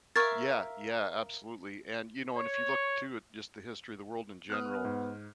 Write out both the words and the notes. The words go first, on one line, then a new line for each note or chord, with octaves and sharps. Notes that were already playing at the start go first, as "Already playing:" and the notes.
Yeah, yeah, absolutely, and, you know and if you look, too, at just the history of the world, in general,
A#4 E5 F5 C#6 G#6 A6
C#5
B3 D#6 F6 F#6
G#2